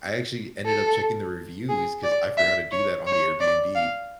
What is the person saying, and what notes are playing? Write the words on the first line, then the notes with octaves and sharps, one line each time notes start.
I actually ended up checking the reviews 'cause I forgot to do that on the Airbnb.
A4
G#4
D5
E5
C#5
C#5
D5
F5